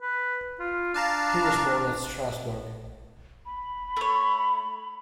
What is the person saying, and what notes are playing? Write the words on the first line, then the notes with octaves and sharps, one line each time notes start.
He was born at Strasbourg.
B4
F4
D4 F5 A5 A#5
B5
A3 C#5